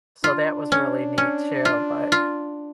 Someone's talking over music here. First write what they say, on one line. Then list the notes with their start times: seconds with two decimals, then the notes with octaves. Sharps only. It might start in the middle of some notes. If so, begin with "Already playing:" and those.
So that was really neat, too, but,
0.24 D4 F4
0.72 C#4
1.18 C#4
1.65 F4
2.12 F4